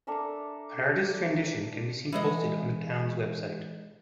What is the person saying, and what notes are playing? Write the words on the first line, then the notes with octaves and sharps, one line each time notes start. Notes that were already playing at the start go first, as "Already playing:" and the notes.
An artist's rendition can be seen posted on the town's web site.
D4 A4 A#4 E5
E3 G#3 D#5